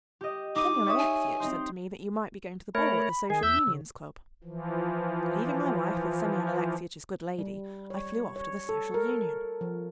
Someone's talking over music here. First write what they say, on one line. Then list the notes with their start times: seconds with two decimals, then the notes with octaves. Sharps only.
Semyon Alexeyitch said to me that you might be going to the ball at the Social Union's club! Leaving my wife with Semyon Alexeyitch's good lady, I flew off to the Social Union.
0.21 G4 D#5
0.56 D#4 D6 D#7
0.86 C#5 E5 D#6
0.99 G#5
1.40 C4 D#4 C5
2.75 A3 A#4 C#5 B5
3.30 D#3 G#4 G#5
3.43 E2 E5 E6 G6
3.67 C#3
4.44 E3 F3
7.39 G3
7.90 C#5
8.36 C#5
8.69 A4
8.94 A#4
9.61 F3